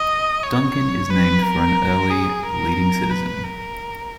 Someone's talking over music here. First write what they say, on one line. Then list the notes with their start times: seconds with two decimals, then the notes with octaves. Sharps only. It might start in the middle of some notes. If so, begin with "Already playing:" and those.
Duncan is named for an early "leading citizen".
Already playing: D#5
0.43 C#5
1.10 B4
1.43 A#4
2.10 G#4
2.43 A#4
3.10 B4
3.43 A#4